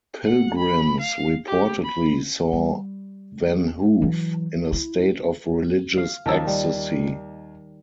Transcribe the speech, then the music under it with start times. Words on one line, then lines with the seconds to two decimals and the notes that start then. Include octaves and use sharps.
Pilgrims reportedly saw Van Hoof in a state of religious ecstasy.
0.24 F#5
0.58 B5
1.00 F5
1.47 G4
1.84 B5
2.53 G3
4.02 E3 F#3
4.72 E4
5.97 F5
6.26 D#2 D#3 F3 D#4 A5 E6
6.47 G3